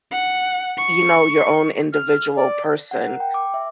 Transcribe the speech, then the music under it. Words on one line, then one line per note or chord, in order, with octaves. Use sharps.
you know, your own individual person
F#5
C#6
F6
D5
F#5
A#4
G5
D6
E5